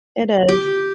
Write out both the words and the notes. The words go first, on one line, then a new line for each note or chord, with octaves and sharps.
It is.
G4